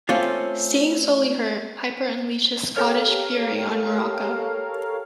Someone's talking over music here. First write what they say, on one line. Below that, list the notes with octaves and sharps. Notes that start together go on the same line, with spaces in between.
Seeing Solie hurt, Piper unleashed his Scottish fury on Muraco.
A3 C4 C#4 F4 D5
G4 A4 A#4 C#5 F5